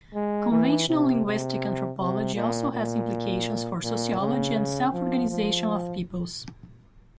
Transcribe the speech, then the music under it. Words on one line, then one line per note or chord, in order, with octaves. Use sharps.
Conventional linguistic anthropology also has implications for sociology and self-organization of peoples.
G#3
E3
C3
C3
C3
A#2
A#2
A#2
C#3
F3
F3